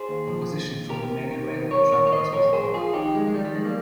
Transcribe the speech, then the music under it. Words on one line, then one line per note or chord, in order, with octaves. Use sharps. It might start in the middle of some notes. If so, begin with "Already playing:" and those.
Opposition from the many railway travellers resulted.
Already playing: G#4 C5
D#2
F3
D#2
D#2
D#2 G4 A#4
D#2
D#3
D#3
D#3 A#4 C#5
D#3 A#4 C#5
C#5
D#3 C5 D#5
F2 A#4 C#5
F2 G#4 C5
F2 F4 G#4
D#3 D#4 G4
F2 G#3
G#3
D#3 G3
G3
F2 G#3
G3 A#3